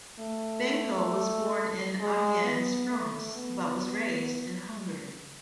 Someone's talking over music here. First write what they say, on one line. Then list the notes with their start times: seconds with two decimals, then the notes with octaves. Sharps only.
Benko was born in Amiens, France, but was raised in Hungary.
0.19 A3
2.00 G#3
2.44 B3
2.90 A3
3.34 B3